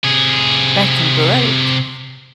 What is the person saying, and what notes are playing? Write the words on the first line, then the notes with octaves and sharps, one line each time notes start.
Back in Baroque...
C3 G#4